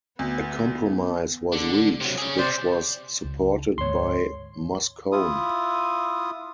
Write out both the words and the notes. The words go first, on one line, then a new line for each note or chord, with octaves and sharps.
A compromise was reached which was supported by Moscone.
D2 B3
D3 D4
C3 F#3
C#4 G#4
C3 C5 D5
C#2
D2 G#2 C#5 C6
E4 F4 D#6